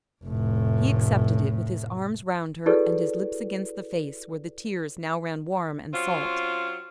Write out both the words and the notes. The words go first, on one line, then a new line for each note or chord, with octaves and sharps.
He accepted it, with his arms round her and his lips against the face where the tears now ran warm and salt.
F1 A2
E4 F#4 G#4 A4 B4 D5
F#3 C4 C#4 F4